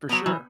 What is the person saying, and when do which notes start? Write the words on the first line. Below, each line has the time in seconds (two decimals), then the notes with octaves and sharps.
For sure.
0.09 F#3 B3
0.26 E3 F#3